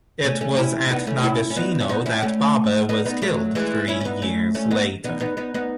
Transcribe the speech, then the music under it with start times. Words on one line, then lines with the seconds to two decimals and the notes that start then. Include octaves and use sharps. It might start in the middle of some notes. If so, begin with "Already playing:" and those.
It was at Nagashino that Baba was killed, three years later.
0.24 A3 C#4
0.41 A3 C#4
0.57 C#4 E4
0.86 E4
0.90 B3 D#4
1.07 A3 C#4
1.23 C#4 E4
1.50 C#4
1.56 B3 D#4
1.81 C#4
1.89 B3 D#4
2.06 C#4 E4
2.22 A3 C#4
2.89 B3 D#4
3.05 B3 D#4
3.22 F#3 A3
3.55 E3 G#3
3.88 C#4 E4
4.00 C#4
4.05 B3 D#4
4.22 A3 C#4
4.55 A3 C#4
4.71 B3 D#4
5.04 B3 D#4
5.20 B3 D#4
5.37 B3 D#4
5.54 B3 D#4